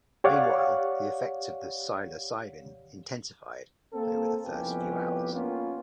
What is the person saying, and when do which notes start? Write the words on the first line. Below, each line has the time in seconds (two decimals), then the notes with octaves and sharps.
Meanwhile, the effects of the psilocybin intensified over the first few hours.
0.24 G4 C#5 D5 F5 F#5
3.93 A#3 C4 A4
4.45 C2 F2 B3 C#4 G4 B4
5.33 A#3 B3 C#4 F4 B4